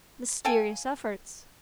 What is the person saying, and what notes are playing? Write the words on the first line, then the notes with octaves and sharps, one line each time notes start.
Mysterious efforts!
A4 F5 G5 G#5